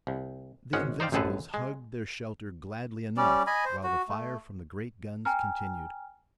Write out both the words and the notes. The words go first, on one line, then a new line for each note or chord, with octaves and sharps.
The Invincibles hugged their shelter gladly enough while the fire from the great guns continued.
C2
G#1 G#3 C#4 F#5
D#4 C5 D5 F5 G5
A1 F#2 C4 G#4 A4 B4
G#3
G3 C#4 D5
D#5 G#5 B5
C5
F#4
A3
G5 G#5 A#5 F6